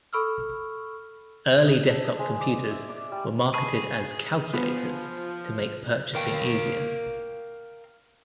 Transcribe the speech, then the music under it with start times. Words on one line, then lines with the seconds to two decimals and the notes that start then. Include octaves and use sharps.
Early desktop computers were marketed as "Calculators" to make purchasing easier.
0.13 A4 B5 C#6 E6 F6
1.67 D#5
1.88 A4
2.04 D#6
2.19 G#3
2.40 D5
2.71 E5
2.89 D5
3.12 G3
3.54 G#4 A5 B5 C#6
4.54 F3 B3
6.15 A#4 F5 G5